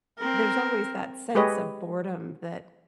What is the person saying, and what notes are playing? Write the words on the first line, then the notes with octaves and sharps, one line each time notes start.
there's always that sense of boredom that,
C4 A#4
G#3 G4 G#4 B4 C#5 D#5